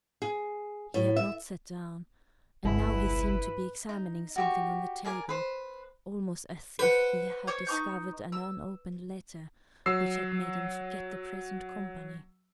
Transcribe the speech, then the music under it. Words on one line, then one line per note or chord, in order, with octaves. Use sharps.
He had not sat down, and now he seemed to be examining something on the table, almost as if he had discovered an unopened letter, which had made him forget the present company.
G#4
A2
E5
G1 C2 G#3 E4 B4
D#4
F#4 G4 C#6
G#4 A#4 D5 G#5
B4 C5
B4 C5 F#5
C5 C#5
D#4 C#6 G6
E6
F#3 E6 C7